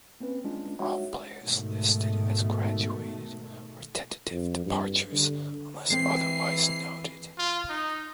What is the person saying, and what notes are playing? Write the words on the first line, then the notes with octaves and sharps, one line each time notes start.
All players listed as "graduated" are tentative departures unless otherwise noted.
A#3 C4 C#4 B4
G#3 C#4 D4 F4
G#3 D#4 F#4 C#5 E5 F#5
G#2 B2 D#3 A3
F2
G2
D3
E3 G#3 C4 C7
F4
D#4